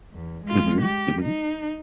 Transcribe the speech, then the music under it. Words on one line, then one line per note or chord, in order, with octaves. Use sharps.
Mhm. Mhm.
E2
G#3 F4
G4
D#4